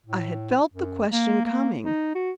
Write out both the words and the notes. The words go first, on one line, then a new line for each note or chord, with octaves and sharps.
I had felt the question coming.
A2
F#2
A#3
A#3
D#4
F#4